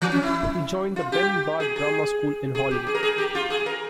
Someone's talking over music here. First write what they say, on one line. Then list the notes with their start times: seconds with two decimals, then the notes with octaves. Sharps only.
He joined the Ben Bard Drama School in Hollywood.
0.02 E3
0.12 C#4
0.23 E4
0.96 F4
1.12 G4
1.60 G#4
1.76 G#4
2.55 G#4
2.71 G4
2.87 G#4
2.95 A#4
3.03 G#4
3.18 G4
3.35 F4
3.50 G#4
3.66 A#4